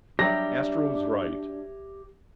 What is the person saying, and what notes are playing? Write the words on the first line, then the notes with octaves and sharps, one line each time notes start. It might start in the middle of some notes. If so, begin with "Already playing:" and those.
Astro was right.
F#3 G3 D4 G4 C#5 E5 A#6